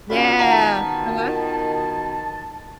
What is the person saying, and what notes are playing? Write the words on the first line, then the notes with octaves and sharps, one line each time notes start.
Yeah. Uh-huh.
C#3 C#4 D4 F4 F#4 B5
B2 D#3 F#5 A5 A#5